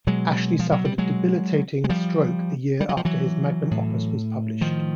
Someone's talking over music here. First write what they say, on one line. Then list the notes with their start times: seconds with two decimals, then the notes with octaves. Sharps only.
Ashley suffered a debilitating stroke the year after his magnum opus was published.
0.07 B2 F#3 G#3
0.59 F3
0.72 F#3
0.85 G3
0.98 F#3 G#3
1.84 G#3
1.89 F3 G3
2.80 G3
2.89 F#3
2.97 F3
3.05 E3 F#3
3.71 A2
4.61 D#3 F3